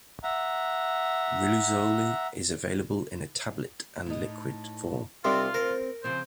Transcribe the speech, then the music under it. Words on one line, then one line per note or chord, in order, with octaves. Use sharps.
Riluzole is available in a tablet and liquid form.
E5 F#5 A#5
A2 D#4
C2 C3 C4 D4 D#4 F4 D5
C4 A#4 C5
C#3 F3 C4 C5